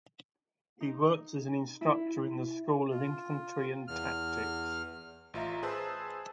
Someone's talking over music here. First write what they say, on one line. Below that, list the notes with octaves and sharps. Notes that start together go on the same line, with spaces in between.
He worked as an instructor in the School of Infantry and Tactics.
D#4
E4
F4
E2 F6
A1 F4 E5 A#5
G#4 B4 C5 G#5 A5 E6